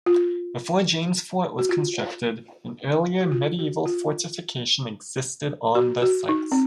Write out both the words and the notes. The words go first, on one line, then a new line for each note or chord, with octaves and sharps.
Before James fort was constructed, an earlier medieval fortification existed on the site.
F4
F#4
F4
F#4
F4
F#4
F4
F#4
F#4
D#4
C4